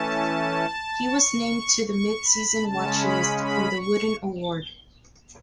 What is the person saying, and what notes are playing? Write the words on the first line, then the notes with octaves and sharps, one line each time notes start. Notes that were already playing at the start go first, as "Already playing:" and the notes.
He was named to the midseason watchlist for the Wooden Award.
Already playing: E3 A3 C#4 A5
C#6
C#6
B5
C#3 G#3 C#4 A5
B5
B5
C#6